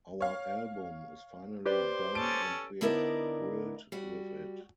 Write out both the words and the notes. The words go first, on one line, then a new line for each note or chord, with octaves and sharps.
Our album is finally done and we're thrilled with it.
C#5 F5
G4 B4 C5 D5 C6 D6
C#4 A4 A5 D7
D3 B3 D#4 E4 A#4 D5
G3 F#4